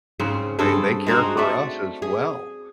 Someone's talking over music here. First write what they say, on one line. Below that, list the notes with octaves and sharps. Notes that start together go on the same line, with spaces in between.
They they care for us as well.
G#2 C#3 C4
G2 C4 G#4 A4
G#3 C4 D#4 F#4
A3 C4 D5
G#4